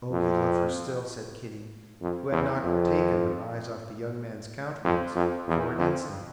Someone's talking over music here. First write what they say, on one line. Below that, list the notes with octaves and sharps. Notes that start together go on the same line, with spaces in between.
"Oh, you love her still," said Kitty, who had not taken her eyes off the young man's countenance for an instant.
F2
F2
E2
F2
F2
F2
E2
F2